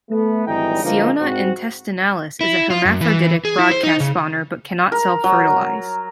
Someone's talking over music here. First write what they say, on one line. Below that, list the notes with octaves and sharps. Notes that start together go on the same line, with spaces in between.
"Ciona intestinalis" is a hermaphroditic broadcast spawner but cannot self-fertilize.
A3 B3
G#1 D2 E3 G3 D#4 G5
D3 E3 F3 G#3 A#3 D#4
G#2 C4 F#4
E4
F4
F#2
E3
G#4
E4
C5
D#4
C#3
A#4
F#3